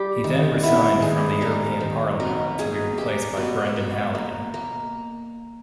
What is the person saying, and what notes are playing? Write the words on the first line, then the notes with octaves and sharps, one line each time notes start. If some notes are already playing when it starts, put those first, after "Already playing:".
He then resigned from the European Parliament, to be replaced by Brendan Halligan.
Already playing: G3 G4
D#3
B3 E4
D#3 G#4
G3 A#4
D#3
B2 A#4
A#3 G#4
A#3 G4
B2
B2
A#3
A#3